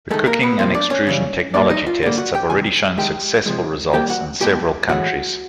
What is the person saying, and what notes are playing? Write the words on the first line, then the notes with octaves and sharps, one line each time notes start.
The cooking and extrusion technology tests have already shown successful results in several countries.
D#3 G#3 A3 A4
A#3 A#4
B3 B4
C3 F3 A#3 C4 C5
D4 D5
C#4 C#5
C#3 E3 G3
A#2 G3 A#3 D4 D5
D#4 D#5
F4 F5
D3 G3 A#3
F#4 F#5
G4 G5
C3 D#3 G#5
D#3 G#3 G4 G5
C3 F3 G#3
D#3 G3 A#3 G4 G5
F#4 F#5
B2 G#3 G4 G5
A2 E3 G#3 F#4 F#5